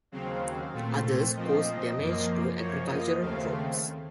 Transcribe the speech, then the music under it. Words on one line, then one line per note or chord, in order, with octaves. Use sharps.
Others cause damage to agricultural crops.
D#2 C#3 F#3 C4 F5
A#2 A3 C4
A#2 F3 C4 D#5
F#2 F3 A#3
F#2 F3 A#3 C#5
D#5
D#2 C#3 A3 C4 F5